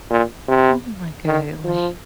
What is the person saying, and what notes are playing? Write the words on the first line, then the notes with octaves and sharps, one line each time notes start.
oh my golly,
A#2
C3
D#3
F3